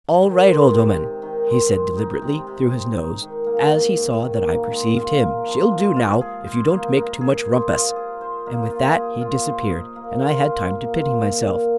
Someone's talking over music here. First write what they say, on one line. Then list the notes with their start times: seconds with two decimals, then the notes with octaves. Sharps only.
"All right, old 'ooman," he said deliberately through his nose, as he saw that I perceived him, "she'll do now, if you don't make too much rumpus." And with that he disappeared, and I had time to pity myself.
0.22 D#3
0.47 G#3
0.72 C3
0.97 C3
1.22 D#3
1.47 G#3
1.72 G#3
1.97 D#4
2.22 C3
2.47 C3
2.71 G#3
2.97 D#4
3.22 D#3
3.46 A#3
3.72 G#2
3.96 G#2
4.21 D#3
4.46 A#3
4.72 G#3
4.96 F4
5.21 A#4
5.47 F3
5.71 G#3
5.96 F4
6.21 G#4
6.46 C5
6.71 A#3
6.96 A#3
7.21 G#4
7.46 C5
7.71 F4
7.96 G#4
8.21 C5
8.46 A#3
8.71 F4
8.96 G#4
9.21 F4
9.46 C5
9.71 D#5
9.96 A#3
10.21 F4
10.46 C5
10.71 A#3
10.95 F4
11.21 A#2
11.46 A#2